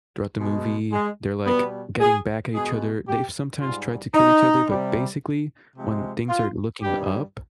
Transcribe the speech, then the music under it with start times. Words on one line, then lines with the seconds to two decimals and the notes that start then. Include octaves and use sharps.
throughout the movie, they're, like, getting back at each other they've sometimes tried to kill each other, but, basically, when things are looking up
0.38 B2 G#3
0.92 G#3
1.45 B2 G3 B3
2.00 G#4
2.54 B2 G#3 G#4
3.07 G4
3.60 G#2 G3 F4
4.14 D#4
4.68 C3 G3
5.75 C3 F3 G#3
6.29 F4
6.82 G2 D#3 G3 G4